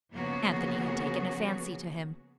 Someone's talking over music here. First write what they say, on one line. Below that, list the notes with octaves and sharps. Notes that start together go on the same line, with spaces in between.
Anthony had taken a fancy to him.
C#3 F3 A#3 B3 F#4 G#4